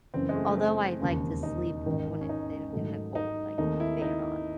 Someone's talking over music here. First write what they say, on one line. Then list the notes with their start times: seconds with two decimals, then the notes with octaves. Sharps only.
Although I like to sleep when it in the in the cold, like with the fan on.
0.14 F#1 F#2 C#3 E3 C4
0.29 G#3
0.35 A3
0.50 A3
0.57 C4
1.00 E1 D#2 C#3
1.43 D#4
1.86 A1 G#2 D#3
2.21 C#4
2.29 D#4
2.73 G#2 D#3 F#3 A3
3.15 D#4
3.58 D#2 D#3 A3 C4 D#4
3.80 E4
4.02 D#4